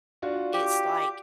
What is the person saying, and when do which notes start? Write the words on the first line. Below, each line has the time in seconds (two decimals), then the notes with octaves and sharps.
It's like
0.22 D4 F4 F#4
0.54 G4